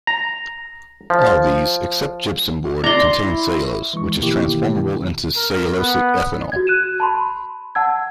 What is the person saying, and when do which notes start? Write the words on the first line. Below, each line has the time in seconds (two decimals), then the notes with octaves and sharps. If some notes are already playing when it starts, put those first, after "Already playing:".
All these, except gypsum board, contain cellulose, which is transformable into cellulosic ethanol.
0.07 A#5
1.10 F3
2.84 D5 A#5 C6
3.21 E4
3.93 E3 G#3 C#6
4.19 B2 D#3 E3 A#3 E4 G4
5.36 A#4
5.77 B3
6.52 F#4 G#6
6.67 F#6 D#7 E7
7.00 A5 B5 C6
7.75 F#5 A5 E6 G#6